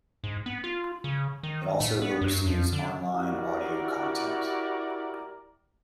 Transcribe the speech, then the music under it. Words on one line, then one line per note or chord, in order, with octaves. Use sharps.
It also oversees online audio content.
G#2
B3
F4
C#3
D#3
A2
B3
F#2
F2
D3
E4 F#4 G4 A#4 D5